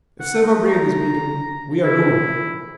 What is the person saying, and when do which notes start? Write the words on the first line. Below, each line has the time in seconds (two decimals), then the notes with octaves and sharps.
If Silver Braid is beaten we are ruined.
0.20 F#5
0.42 D#4
0.69 A#5
1.84 E4